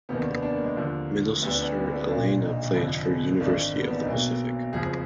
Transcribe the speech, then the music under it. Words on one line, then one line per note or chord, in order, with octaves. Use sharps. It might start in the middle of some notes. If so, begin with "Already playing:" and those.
Middle sister Elaina played for University of the Pacific.
F1 D#2 D#3 B3
D4
B3
D4
A#3
G#3
D#2 D3 F3 A#3
D2 D3 F3 B3
D4
B3
D4
B3
D4
B3
D4
B3
B1 A#2 F3 D4
D#4
F1 F2 D3 F3
G#1 G#2 D#3 D4
A#3
B3
D4
D#4
B1 B2 A#3
F#1 F2 F3 G#4